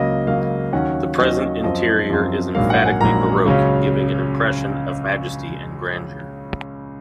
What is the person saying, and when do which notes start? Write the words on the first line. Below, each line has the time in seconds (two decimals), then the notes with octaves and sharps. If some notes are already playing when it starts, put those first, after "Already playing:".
The present interior is emphatically Baroque, giving an impression of majesty and grandeur.
Already playing: C#2 C#3 F#3 A#3 D#5
0.27 C#2 C#3 F#3 A#3 F5
0.73 D#2 D#3 F#3 C#4 F#5
1.18 D#2 D#3 F#3 C#4 D#5
1.64 F#2 F3 C4 D#5
2.09 F#2 F3 C4
2.55 A#1 G#2 F#3 A#3 F5
2.70 F#5
2.85 G#5
3.00 A#1 G#2 F#3 A#3 A#5
3.46 C#2 C#3 F#3 C#4